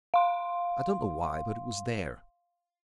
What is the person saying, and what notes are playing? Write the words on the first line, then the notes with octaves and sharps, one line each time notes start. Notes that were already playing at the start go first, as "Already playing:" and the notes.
I don't know why, but it was there.
F5 C6